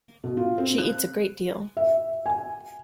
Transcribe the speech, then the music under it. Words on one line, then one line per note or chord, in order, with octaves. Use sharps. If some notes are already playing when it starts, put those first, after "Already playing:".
She eats a great deal.
B2
F4
C4
F#6
E5
G#5